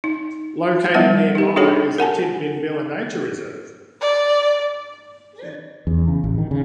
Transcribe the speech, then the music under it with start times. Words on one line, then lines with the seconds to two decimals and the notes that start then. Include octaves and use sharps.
Located nearby is the Tidbinbilla Nature Reserve.
0.04 D#4
0.94 F3 G3 B3 E5 F#5
1.35 D#4 G4
1.56 D4 D#4 F#4 G#4 A4 C#5
1.98 A#4 F#5 G#5 A5
4.01 D5
5.87 E2
6.08 C#3
6.24 A1
6.38 D#3
6.51 C#3